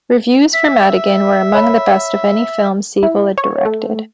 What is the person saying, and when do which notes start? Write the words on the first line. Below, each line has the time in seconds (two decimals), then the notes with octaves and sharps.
Reviews for "Madigan" were among the best of any film Siegel had directed.
0.54 E5 B6
1.54 C#5 B5
3.03 E4
3.38 C#5
3.65 A3